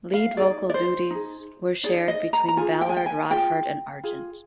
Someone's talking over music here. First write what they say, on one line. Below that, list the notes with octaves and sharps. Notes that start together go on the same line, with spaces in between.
Lead vocal duties were shared between Ballard, Rodford and Argent.
F5
D#4 G#4 D5
D5
C5
D#4 G#4
D#4 G#4 D5
D#5
A#5
A#5
F4 G#4 G#5
G5
G#5
G5
G#5
F4 G#4 G5
F4 G#4